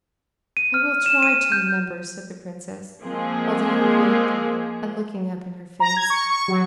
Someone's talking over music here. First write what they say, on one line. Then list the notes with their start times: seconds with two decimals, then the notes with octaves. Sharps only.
"I will try to remember," said the princess, holding her cloak, and looking up in her face.
0.57 D#7
0.74 F6
1.06 E7
1.22 D#7
1.52 G6
3.03 F3 G#3 A#3 C4 G#4
5.80 A#5
5.97 G#6
6.10 C#6
6.30 C#6
6.48 F#3